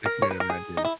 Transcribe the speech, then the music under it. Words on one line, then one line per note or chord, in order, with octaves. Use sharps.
I couldn't imagine.
A#4
C#5
B4
A#4
G#4
D#4
E4